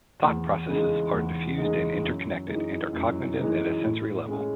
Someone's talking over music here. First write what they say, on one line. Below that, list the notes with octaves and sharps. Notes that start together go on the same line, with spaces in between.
Thought processes are diffused and interconnected and are cognitive at a sensory level.
E2
C#3 G#3 D#4
E2
C#3 G#3 D#4
F#2
E3 G#3 D#4
F#2
E3 G#3 D#4
A2
G#3 C#4 G#4